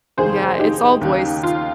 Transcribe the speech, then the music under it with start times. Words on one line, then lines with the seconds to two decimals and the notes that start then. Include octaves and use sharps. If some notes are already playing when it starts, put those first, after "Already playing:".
Yeah, it's all voice.
0.17 F1 D#2 D#3 G#4 C5
0.59 D#4 G4
1.01 D#2 C#3
1.43 F4